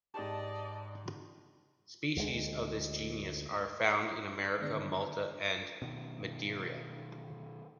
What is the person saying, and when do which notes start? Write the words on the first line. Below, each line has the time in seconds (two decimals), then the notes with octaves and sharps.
Species of this genus are found in America, Malta and Madeira.
0.14 G#2 G4 D5 D#5 A5
2.17 D2 G#3
4.58 D3 D#3 G#3 B3 D4
5.82 B2 D#3